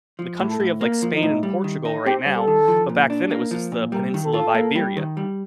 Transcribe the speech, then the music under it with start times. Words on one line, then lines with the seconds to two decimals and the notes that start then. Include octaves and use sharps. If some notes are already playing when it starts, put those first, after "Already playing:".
the country of, like, Spain and Portugal right now, but back then it was just the Peninsula of Iberia,
0.19 F3
0.39 A2
0.51 A4
0.60 A2
0.81 A#3 A#4
1.02 F3
1.13 D#4
1.22 A2
1.43 G3
1.64 D#3
1.85 D#4
2.06 C4 G4
2.26 G3
2.38 A4
2.47 D#3
2.68 F3
2.89 A#2
3.10 D4
3.31 A#3
3.51 F3
3.72 A#2
3.92 G3 A#4
4.14 D#3
4.24 A4
4.34 F4
4.54 A#3
4.76 G3
4.97 D#3
5.17 G3